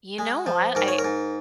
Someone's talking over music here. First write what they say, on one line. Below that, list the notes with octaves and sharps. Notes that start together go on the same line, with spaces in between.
You know what? I
G#3
F3
G#2 A#4
C#5
A#4
G#2